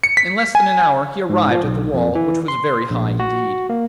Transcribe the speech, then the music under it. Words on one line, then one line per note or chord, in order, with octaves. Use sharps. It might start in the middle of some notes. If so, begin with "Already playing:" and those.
In less than an hour he arrived at the wall, which was very high indeed.
C#7
B6
G#5
G#2
F3
B1
F2
E3
C6
A#1
F#4
A#3